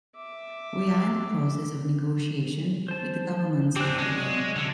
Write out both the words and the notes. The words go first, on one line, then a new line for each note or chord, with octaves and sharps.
"We are in the process of negotiation with the government," said Yuen.
E5 D6
C5 A5
C4 D4 G4 G#5 F#6
F#3 G#3 D5
D3